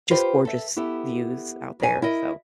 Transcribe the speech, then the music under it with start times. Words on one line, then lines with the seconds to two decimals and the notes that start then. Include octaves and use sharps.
just gorgeous views out there. So,
0.10 F4 G4 B4 C5
0.45 A4 E5
0.76 B3 E4 G4 A4
1.80 F2 F#3 G#5
2.02 E4 A#4 D#5